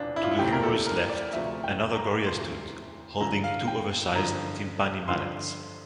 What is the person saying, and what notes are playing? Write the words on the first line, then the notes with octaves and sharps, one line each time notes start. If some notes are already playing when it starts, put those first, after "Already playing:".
To the viewer's left another gorilla stood, holding two oversized timpani mallets.
Already playing: E1 D2 C3 F3 D4 F4
E4
F4
E4
E1 D2 C3 F3 A3 G4
A#4
A4
A#4
D5
E1 D2 C3 F3 A3 E5
G5
A#5
E1 D2 C3 F3 A3 C6
G2 D3 F3 A#5
F5
G5
G2 D3 F3 A#5
G2 D3 F3 C6